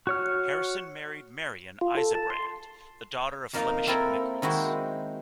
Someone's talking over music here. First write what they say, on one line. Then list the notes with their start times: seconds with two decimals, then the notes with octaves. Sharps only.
Harrison married Marion Isebrand, the daughter of Flemish immigrants.
0.07 F#4 C#5 F6
1.81 F4
1.97 A4
2.15 A5
2.30 C6
3.53 F2 A#3 D#4 F4 F5
3.87 A#3 C4 E4 A4 A#4
4.42 D#3 G#3 E4 F#4 C5